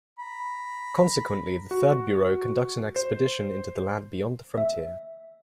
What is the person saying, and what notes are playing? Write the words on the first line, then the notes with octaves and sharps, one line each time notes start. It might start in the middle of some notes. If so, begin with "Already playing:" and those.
Consequently, the Third Bureau conducts an expedition into the land beyond the frontier.
A#5 B5
F#4
C5
E5